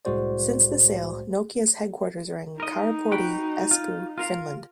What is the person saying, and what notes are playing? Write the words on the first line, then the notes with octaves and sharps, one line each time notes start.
Since the sale, Nokia's headquarters are in Karaportti, Espoo, Finland.
C2 A2 G#3 F#4 C5 D5
D#4 A#4 D#5
F#4 B4 G5
F4
F4 A#4 F5